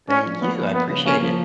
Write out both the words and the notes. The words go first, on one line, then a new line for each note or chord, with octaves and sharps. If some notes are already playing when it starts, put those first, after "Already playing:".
Thank you, I appreciate it.
C#4 D4
F3
A#3 B3
F3
A#3 B3
C#3
A#3 C#4
F3